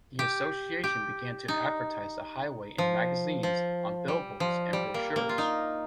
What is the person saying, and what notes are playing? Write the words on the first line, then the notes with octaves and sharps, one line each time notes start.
The association began to advertise the highway in magazines, on billboards, and brochures.
G4
G4
D#4
F3
F3
G3
F3
G3
A#3
A#3
F4
D#4